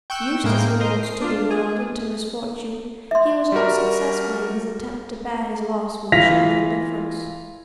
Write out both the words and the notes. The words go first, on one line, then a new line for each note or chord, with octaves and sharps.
Used as he was to the world and to misfortune, he was not successful in his attempt to bear his loss with a show of indifference.
G5 C#6 E6 F#6
A2 G#3 A#3 G5
A#4 C5 D#5
C7
D4 F4
G#4
E5 C6
G3 F#4 A#4
E3 F4 F5 A#6 B6 F7